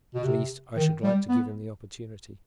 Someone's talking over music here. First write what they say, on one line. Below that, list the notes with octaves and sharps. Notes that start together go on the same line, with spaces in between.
At least, I should like to give him the opportunity.
B2
C3
D#3
G3
B3